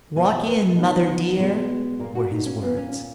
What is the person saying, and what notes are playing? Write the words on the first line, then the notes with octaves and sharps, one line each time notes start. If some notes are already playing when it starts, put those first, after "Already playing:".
"Walk in, mother dear," were his words.
B2 A#3 G#5
E5
B4
D#3 F#3 B3
B2 G#3 B3
A#2 A#3 A#4
F#4
D#4
C#4
A#2 A#3 B3
C#4
C#4